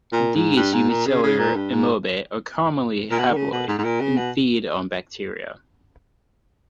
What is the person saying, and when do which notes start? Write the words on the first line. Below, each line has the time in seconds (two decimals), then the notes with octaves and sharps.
These unicellular amoebae are commonly haploid, and feed on bacteria.
0.13 A#2
0.35 G#2
0.56 G2
0.73 G#2
0.89 A#2
1.06 C#3
1.23 C#3
1.39 A#2
1.55 G2
1.71 G#2
3.11 A#2
3.19 B2
3.30 D#3
3.36 C#3
3.52 B2
3.68 G#2
3.78 G#2
3.84 A#2
4.01 C#3
4.17 B2